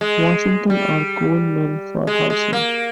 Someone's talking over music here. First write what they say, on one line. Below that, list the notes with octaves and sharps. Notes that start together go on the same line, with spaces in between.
Washington or "Coal Hill" for housing.
G#3
G3
G#3
G#3
A#3